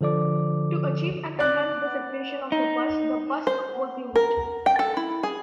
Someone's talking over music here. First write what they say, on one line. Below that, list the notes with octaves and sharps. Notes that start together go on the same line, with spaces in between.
To achieve and enhance the separation of the bust the "busk" was used.
D3 F3 A4 D5 D6
D5 D6 F#6
D#4
C5
A#4
G5
A4
E4
G#4